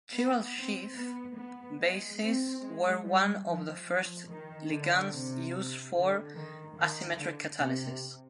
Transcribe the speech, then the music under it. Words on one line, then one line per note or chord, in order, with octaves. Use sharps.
Chiral Schiff bases were one of the first ligands used for asymmetric catalysis.
B3
C4
B3
B3
G#3
C4
G#3
G3
F3
F3
D#3
D3
C3
D3
D#3
D#3
D3
C3